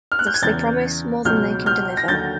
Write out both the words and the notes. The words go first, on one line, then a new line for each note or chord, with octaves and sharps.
Thus they promise more than they can deliver.
F6
F#6
G6
G#6
E2 C#3 E3 G6 A6
C#2 B2 F#3 F6 G6
F6 G6
A#6
D#2 D3 F#3 G6 A6